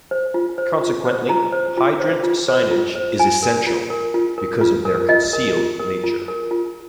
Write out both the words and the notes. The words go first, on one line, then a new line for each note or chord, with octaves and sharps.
Consequently, hydrant signage is essential, because of their concealed nature.
C5
F4
C5
F4
C5
F4 A#5
C5
F4
C5
F4
C5
F4
C5
F4 G#5
A#4
F4
A#4
F4
A#4
F4
A#4
F4 D#5
A#4
F4
A#4
F4
A#4
F4